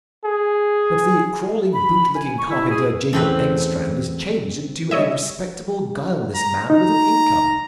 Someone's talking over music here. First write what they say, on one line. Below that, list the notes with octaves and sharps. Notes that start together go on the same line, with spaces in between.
But the crawling, bootlicking carpenter, Jacob Engstrand, is changed into a respectable, guileless man with an income.
G#4
B5
G#5
C#6
E4
G#4
E2 C#3 E3 A3 C4 B4
G3 G#3 C#5 D#5 E5
A#5
D#4 A#5